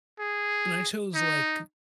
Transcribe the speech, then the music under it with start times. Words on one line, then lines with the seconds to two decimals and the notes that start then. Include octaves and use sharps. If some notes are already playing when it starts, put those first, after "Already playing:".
And I chose, like,
0.19 G#4
1.15 D#4